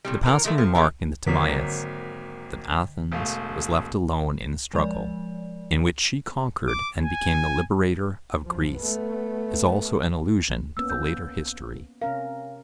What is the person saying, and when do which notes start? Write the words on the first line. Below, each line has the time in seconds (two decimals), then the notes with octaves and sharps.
The passing remark in the Timaeus that Athens was left alone in the struggle, in which she conquered and became the liberator of Greece, is also an allusion to the later history.
0.05 A2 C3 G3
0.26 E3 A#4
0.44 D#3 G#3 A3
0.58 F3
0.75 E3 G#3 A3
1.26 G#1 D3 F#3 A#3 B6
3.12 E1 A3 F5
4.74 F3 G#3 D5
6.68 D6
7.02 G#5
8.45 F#2 F3
8.77 A3 B3
10.77 A#3 B3 C#4 E6
10.90 E6 G6
12.02 C3 C#4 A#4 F5